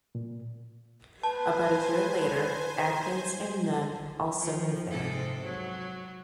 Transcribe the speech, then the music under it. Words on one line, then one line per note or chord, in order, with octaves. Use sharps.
About a year later Adkins and Nunn also moved there.
A#2
B4 C5 G#5 A5
F3
G#2 C3 A4
F#3